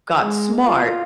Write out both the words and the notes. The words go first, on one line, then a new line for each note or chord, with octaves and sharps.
got smart,
G#3
F4